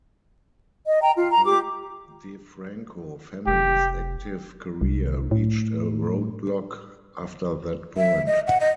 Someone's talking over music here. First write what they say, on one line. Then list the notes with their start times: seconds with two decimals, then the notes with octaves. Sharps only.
The DeFranco Family's active career reached a roadblock after that point.
0.86 D#5
1.02 G5 A#5
1.16 F4
1.31 A#5
1.44 F4 G4 D6
3.47 F1 G4
4.81 C2
5.31 A2
7.97 E5
8.27 D#5
8.47 F#5
8.60 D#5